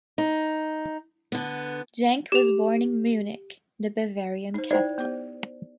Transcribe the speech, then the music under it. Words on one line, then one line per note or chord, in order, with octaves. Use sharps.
Jank was born in Munich, the Bavarian capital.
D#4
D3 B3
G4 F7
D#4 C5
D#4 E4 C5 D5 G5
B3 G4